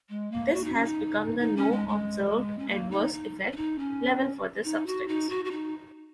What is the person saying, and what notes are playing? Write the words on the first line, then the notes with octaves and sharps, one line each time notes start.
This has become the no-observed-adverse-effect level for this substance.
G#3
A#3
F#4
D#4
C#4
D#4
D#4
C#4
G#3
G#3
C#4
A#3
D#4
D#4
C#4
D#4
C#4
D#4
F#4
D#4
F#4
F#4
D#4